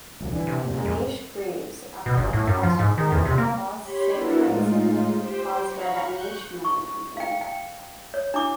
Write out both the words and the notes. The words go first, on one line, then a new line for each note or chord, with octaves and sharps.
Aniche grieves after a catastrophe in Fosse Saint-Hyacinthe caused by the Aniche Mining Company.
D#1 C2 F#3
D3 E3
C3
F#2 A#2
F2
B2
G1
A2
F#2
F3
G#2
D#3
E2
C3
A#3
G4 C#5 B5 C6
B3 D4 E4 F#4 A4 A#4
A2 G#3 D#4 F4
G4 C5 G5
F5 A#5 B5 C#6
C#6 F#6 G6
C#6
F5 G5
G5
C#5
D4 E4 D6